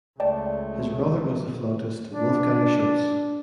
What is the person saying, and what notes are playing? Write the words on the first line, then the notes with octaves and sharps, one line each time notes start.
His brother was the flautist Wolfgang Schulz.
C#2 A3 D5 G5 A5
D4